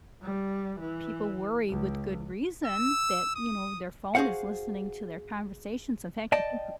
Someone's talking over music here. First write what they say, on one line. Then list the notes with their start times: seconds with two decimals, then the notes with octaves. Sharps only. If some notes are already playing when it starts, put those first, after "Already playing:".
people worry with good reason that, you know, their phone is listening to their conversations. In fact, I think G
0.22 G3
0.79 E3
1.69 C#2
2.66 E6
3.36 D#6
4.15 F#4 G#4 A4 C5 F5 F#5
6.32 D5 D#5 G5 A5